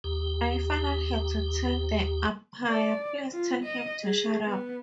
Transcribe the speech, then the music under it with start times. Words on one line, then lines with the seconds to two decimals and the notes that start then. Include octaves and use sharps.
I finally had to tell the umpire: 'Please tell him to shut up.
0.04 D#2 G4
2.71 D5
3.32 F4
3.64 D#5
4.04 G#4
4.44 B3